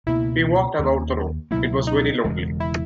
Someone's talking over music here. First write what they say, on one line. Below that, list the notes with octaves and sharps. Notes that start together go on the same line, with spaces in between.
He walked about the room — it was very lonely.
C#2 B2 A#3 E4
D#2 D#3 A#3
C#2 B2 F#3 A#3 E4
D#4
E1 E2 C#3 G#3
E4